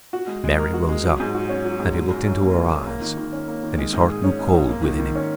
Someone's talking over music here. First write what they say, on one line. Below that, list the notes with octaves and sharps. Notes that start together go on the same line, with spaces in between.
Mary rose up, and he looked into her eyes, and his heart grew cold within him.
F#4
G#3
G#3
A#4
F#4
G#3
F#3
G#2
F#4
C#4
F#3
G#2
F#3
F#2
F#2
A#3
F#3
F#2
A#3
D#3
D#3
C#4
A#3
D#3
G#3
G#2
G#4
C#4
G#3
G#2
A#3
D#3
D#3
C#4